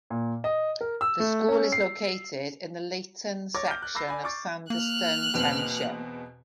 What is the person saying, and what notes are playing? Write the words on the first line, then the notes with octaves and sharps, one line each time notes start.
The school is located in the Layton section of Sandyston Township.
A#2
D#5
A#4
E6
A3
C#4
C7
C#5 C#6 D6 A6 A#6
F6 G6
F#6
B5 D6 E6 A#6 C7
D5 G#5 B5
C#6 D6 A6
A#3 F6 F#6
E2 B2 C4